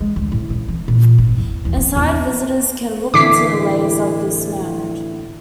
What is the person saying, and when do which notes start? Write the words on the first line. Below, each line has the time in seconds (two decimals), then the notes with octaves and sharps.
Inside, visitors can look into the layers of this mound.
0.01 G#3
0.16 D2
0.32 A2
0.50 C#3
0.68 E3
0.88 A#2
1.18 G#1
1.38 E2
1.65 E2
1.77 B3
1.96 E2
3.14 A2 D3 E3 D6 B6 C7